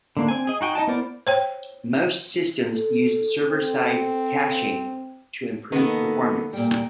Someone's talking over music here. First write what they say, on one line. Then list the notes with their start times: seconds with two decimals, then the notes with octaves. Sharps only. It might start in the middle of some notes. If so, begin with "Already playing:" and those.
Most systems use server side caching to improve performance.
0.17 D3 A#3 D4
0.29 C4 G#5
0.47 G#4 D#5
0.61 D#4 F#4 G5 G#5
0.75 D#4 D#5 G5 A5
0.87 B3 E4 A#4 C5 D5
1.27 C5 C#5 G5
2.73 A4
3.50 C4
5.72 D#3 A#3 B3 A4 B4
6.53 A#2 G3 A#3 G5